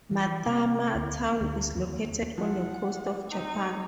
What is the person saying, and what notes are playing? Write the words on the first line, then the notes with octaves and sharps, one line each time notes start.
Matama town is located on the coast of Japan.
E3
C3
D2
D2
D#2
F3 E4 F#5
C4 D#4